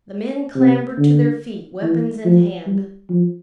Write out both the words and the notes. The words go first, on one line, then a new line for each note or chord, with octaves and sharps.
The men clambered to their feet, weapons in hand.
C3
D3
E3
F3
G3
F3